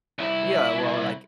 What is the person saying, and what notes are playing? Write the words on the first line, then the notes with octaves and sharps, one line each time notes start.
Yeah. Well, like
C2 E4